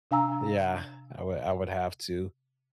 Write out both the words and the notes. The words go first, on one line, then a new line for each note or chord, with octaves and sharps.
yeah, I would I would have to.
C3 D4 F5 G#5 A#5 E6